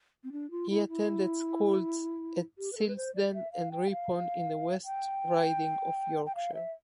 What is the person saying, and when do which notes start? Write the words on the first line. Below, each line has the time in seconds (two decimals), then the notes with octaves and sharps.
He attended schools at Silsden and Ripon in the West Riding of Yorkshire.
0.24 C4
0.32 D4
0.51 F4
0.70 E4
0.89 E4
2.58 G4
2.72 B4
2.77 A4
2.88 B4
2.96 C5
3.15 D5
3.34 E5
3.52 F5
3.72 G5
3.91 F5
4.85 G5
6.26 G5
6.35 F5
6.54 E5